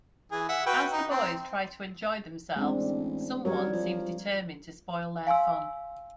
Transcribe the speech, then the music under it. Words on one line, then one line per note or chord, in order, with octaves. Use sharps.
As the boys try to enjoy themselves, someone seems determined to spoil their fun.
E3 G#4
E5 F#5
F#4 B4 G5
D#4
C4
A1 G#3 C4 D4
F#3 G3 A#4 C#5
F3
F5 G#5 C6 E6